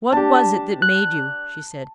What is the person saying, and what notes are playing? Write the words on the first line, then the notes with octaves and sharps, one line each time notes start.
"What was it that made you?" she said.
D4 G4 A5
F#6